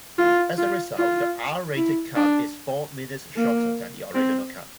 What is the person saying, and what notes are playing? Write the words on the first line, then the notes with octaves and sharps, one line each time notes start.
As a result, the R-rated cut is four minutes shorter than the original cut.
F4
F4
F4
E4
D4
A#3
C4